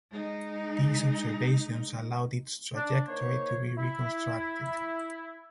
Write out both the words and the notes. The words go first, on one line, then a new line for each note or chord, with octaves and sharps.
These observations allowed its trajectory to be reconstructed.
G#3 D#4
D4
D#3 A#3 C5 C#5
E4